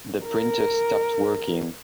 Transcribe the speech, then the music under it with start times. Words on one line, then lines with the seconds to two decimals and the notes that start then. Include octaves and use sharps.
The printer stopped working.
0.25 A#4